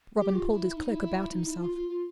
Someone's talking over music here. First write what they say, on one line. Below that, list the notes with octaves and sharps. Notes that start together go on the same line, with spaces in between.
Robin pulled his cloak about himself.
G4
F4
E4
D#4
E4
D#4
E4
F4
F4
F4